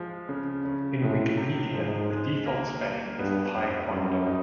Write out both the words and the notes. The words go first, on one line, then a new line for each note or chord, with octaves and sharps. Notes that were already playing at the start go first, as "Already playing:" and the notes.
In Wikipedia, the default spelling is taekwondo.
Already playing: F3 G#3
C#3
C#3
A2 G#3
C3
G#2 F3
G#3
A#3
A#3
G2 B3
F2
F#2 G3
D#4